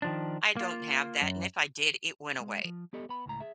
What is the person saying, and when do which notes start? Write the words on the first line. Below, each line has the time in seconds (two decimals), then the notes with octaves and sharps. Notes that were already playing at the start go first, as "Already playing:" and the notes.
I don't have that, and if I did, it went away.
0.02 D#3 F3 D4
0.57 A#3 F4
1.22 F#2
2.40 G#3
2.65 F3
2.93 B3 G4 A4 D#5
3.09 B3 B5
3.26 C#2 A2 A#5
3.40 G#4 E5